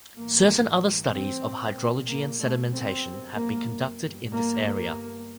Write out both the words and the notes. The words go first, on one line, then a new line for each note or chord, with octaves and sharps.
Certain other studies of hydrology and sedimentation have been conducted in this area.
A1 G2 A#3
C4
A#1 A#2
A#3
A3
G1 F#2 C4
A#3
G1 G2
A#3
A#3